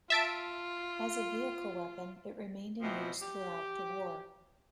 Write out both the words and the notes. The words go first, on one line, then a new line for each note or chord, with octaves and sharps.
As a vehicle weapon, it remained in use throughout the war.
F4 E5 A5 D7
B2 E3 F3 C4
G4